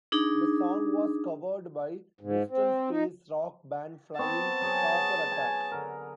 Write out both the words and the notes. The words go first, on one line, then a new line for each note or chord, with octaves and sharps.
The song was covered by Bristol space rock band Flying Saucer Attack.
D4 D#4 G#4
G#2
C4
D#4
B3 C4 A5 C#6
F#3 G#4 C#5
G#5
D3 A#4